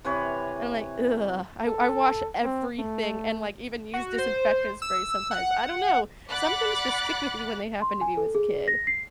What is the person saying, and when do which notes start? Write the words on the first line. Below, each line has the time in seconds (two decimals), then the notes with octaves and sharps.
and I’m like, "ugh," I I wash everything and, like, even use disinfectant spray sometimes, I don't know, some things just stick with you when they happen to you as a kid.
0.05 C3 E3 B4 C#5
1.66 A4
2.44 C4
2.79 A3
3.94 F#4
4.18 C5
4.82 E6
5.31 F#5
6.29 D5 F#5 B5 D6 F#6 A6
7.82 C6
8.01 G#5
8.17 A4
8.35 G#4
8.68 A#6
8.87 C7